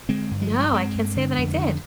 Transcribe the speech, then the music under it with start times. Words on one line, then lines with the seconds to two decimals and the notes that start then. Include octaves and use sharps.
No, I can't say that I did.
0.09 D3 G#3 C4
0.31 G2
0.41 F3 G#3
0.51 G2
0.73 G2 G#3 C4
0.95 G2
1.16 D3
1.38 F2
1.59 D3